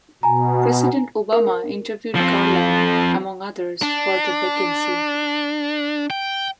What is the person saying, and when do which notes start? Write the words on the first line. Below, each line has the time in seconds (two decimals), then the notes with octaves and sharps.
President Obama interviewed Garland, among others, for the vacancy.
0.23 B2 G#5 A#5
1.33 A#4
2.15 F3 C4
3.82 D4
6.10 G5